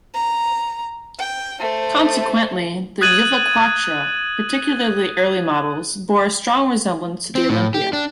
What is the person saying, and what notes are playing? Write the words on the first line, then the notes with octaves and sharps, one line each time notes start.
Consequently, the Juvaquatre, particularly early models, bore a strong resemblance to the Olympia.
A#5
G5
A3 C5
D#6 F#6 G#6 A6 D#7 F#7
C4
A2
G4
D4